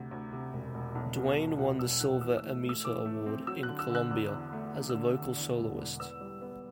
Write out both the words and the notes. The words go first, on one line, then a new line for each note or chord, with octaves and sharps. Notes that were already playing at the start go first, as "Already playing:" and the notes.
Dwayne won the Silver Ermita award, in Colombia, as a vocal soloist.
Already playing: D2 C3
D2
C3
E1
E1
B1
B2
F#3
B2 F#5
B1 E6
B1 F#6
E3 E6
E6
A3
A3
E6
E3 D6
A3
C4
F#3 E6
F#6
D3
E6
D3
F#6
E2
E2
A3
D3
E6
D3
D3
E2
E1
E2
B3 E6
G3
B3